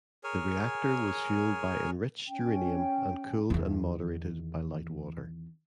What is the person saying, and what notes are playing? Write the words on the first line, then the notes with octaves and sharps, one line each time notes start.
The reactor was fueled by enriched uranium and cooled and moderated by light water.
G#4 A#4 C#5 G#5
C#4 G5
E2 D#3